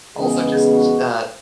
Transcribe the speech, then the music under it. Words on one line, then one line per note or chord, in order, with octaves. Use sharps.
also just, uh
E2 C#3 G#3 B3 G#4
F#4